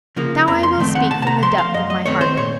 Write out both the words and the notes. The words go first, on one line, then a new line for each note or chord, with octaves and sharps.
But now I will speak from the depth of my heart.
C#3 F3 A#3
F2 A#5
C6
D#3 A3 C4
F#5
C3 A5
A5
A#5
F3 A3 C6
F5
F#2 D#5
D#5
D#3 A3 C4 C#5
C5
A#2 C#5